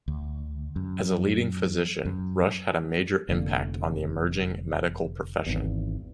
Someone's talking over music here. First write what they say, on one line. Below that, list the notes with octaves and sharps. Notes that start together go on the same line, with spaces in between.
As a leading physician, Rush had a major impact on the emerging medical profession.
D2
F#2
F#2
F1 D3 A#3
G#1 E2